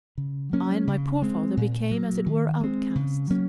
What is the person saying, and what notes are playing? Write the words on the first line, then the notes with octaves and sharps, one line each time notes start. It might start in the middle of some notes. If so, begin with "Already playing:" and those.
I and my poor father became as it were outcasts.
C#3
F#3 A#3 C#4
C#3
G#3 C4
A#2
F#3 A#3
D#3
G#3 C4
C#3
F#3 A#3 C#4